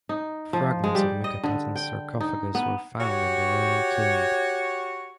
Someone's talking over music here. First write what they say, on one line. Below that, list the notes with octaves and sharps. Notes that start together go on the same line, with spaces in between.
Fragments of Meketaten's sarcophagus were found in the royal tomb.
D#4
F3
G#3
G3
D#5
D3
G5
D#4
B3
F#4 G4 C#5